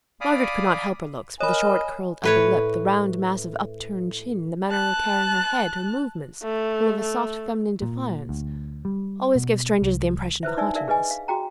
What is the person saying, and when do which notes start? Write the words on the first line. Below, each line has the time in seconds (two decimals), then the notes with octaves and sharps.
Margaret could not help her looks; but the short curled upper lip, the round, massive up-turned chin, the manner of carrying her head, her movements, full of a soft feminine defiance, always gave strangers the impression of haughtiness.
0.21 D5 F5 G#5 B5 D6 D#6
1.40 A#4 C#5 D#5 G#5 B5
2.24 A2 B4 C#5
4.69 A5 F#6
6.43 A3
7.01 A3
7.82 A#2
8.29 D2
8.85 G3
9.35 B2
9.82 C2
10.43 E4 B4 C5 E5
10.57 D4 D#4 D5 E5 G#5 E6
10.75 A#4 D5 E5 F5
10.88 G#4 B4 D#5 G#5
11.11 F5
11.28 F#4 G#4 G5 A#5